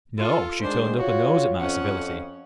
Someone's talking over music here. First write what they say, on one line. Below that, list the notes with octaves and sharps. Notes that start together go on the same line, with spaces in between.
No, she turned up her nose at my civility.
F4 A4
G#2 D#3 G#3 D4 C5
F4 F#4 C#5
F2 C#4 F#5